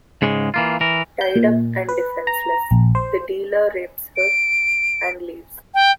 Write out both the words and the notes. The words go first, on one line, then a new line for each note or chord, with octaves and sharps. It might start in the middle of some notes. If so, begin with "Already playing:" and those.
Tied up and defenseless, the dealer rapes her and leaves.
G#2 C#3 G#3
E3 A#3 F4
E3 A#4
G6
A#2
B4
A#5
A#1
C5
D7
G5